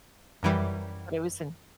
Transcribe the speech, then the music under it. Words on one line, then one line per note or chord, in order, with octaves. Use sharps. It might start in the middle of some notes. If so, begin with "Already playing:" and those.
But it was in
F#2 E3 G3